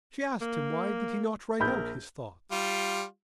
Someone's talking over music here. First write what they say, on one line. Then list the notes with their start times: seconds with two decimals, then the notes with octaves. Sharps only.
She asked him why did he not write out his thoughts.
0.41 A#3
1.60 A#1 A#4 B5 G6
2.51 G3 F4